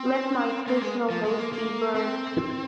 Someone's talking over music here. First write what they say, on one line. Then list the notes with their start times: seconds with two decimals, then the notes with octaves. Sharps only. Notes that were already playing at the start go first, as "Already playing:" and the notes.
Let my personal notes be burned.
Already playing: C4
0.68 A#3
0.82 G#3
1.10 F3
1.24 G#3
1.38 A#3
1.53 A#3
1.95 C4